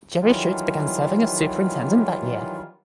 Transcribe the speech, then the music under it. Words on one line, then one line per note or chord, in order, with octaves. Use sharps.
Jerry Schutz began serving as superintendent that year.
D#3 E3 F#3 G3 F4